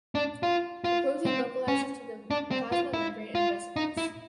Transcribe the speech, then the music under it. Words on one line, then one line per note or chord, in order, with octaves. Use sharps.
The protein localizes to the plasma membrane and vesicles.
D4
F4
F4
C4
C#4
D4
C4
F4
E4
F4
D#4
E4